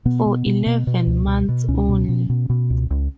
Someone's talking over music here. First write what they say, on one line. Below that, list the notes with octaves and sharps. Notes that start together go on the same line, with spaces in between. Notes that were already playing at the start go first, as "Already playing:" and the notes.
For eleven months only.
B2 B3
B2
B2
B2
B2
C#2
B2
B2
C#2 C#4
B2
B2
B2
B2
C#2
C#2